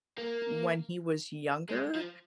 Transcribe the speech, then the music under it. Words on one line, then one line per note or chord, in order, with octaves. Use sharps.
when he was younger,
A#3
G#3
F3